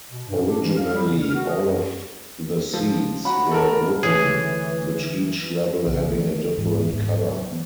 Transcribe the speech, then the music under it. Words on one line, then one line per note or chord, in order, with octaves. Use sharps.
Originally, all of the seats were wooden, with each level having a different color.
B2
G2
D4
E3
F5
G3
C#3
F6
F#4
D#5
F#2
F3
F#4 B5
A4 A#4
D2 B2 E3 G#4 C#5
B1 C#3
D3 D#3 A3 A#3
D#1 G#2 E3 G#3
D#1 G#2
F#3
E3 A#3 B3